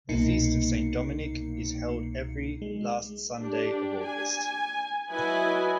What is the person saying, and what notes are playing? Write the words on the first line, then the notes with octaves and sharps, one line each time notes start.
The feast of Saint Dominic is held every last Sunday of August.
C2 B2 A#3 D#4 C7 C#7
G#3
D4 G4
G#5
F#3 E4 F#4 B4 D#5 G#5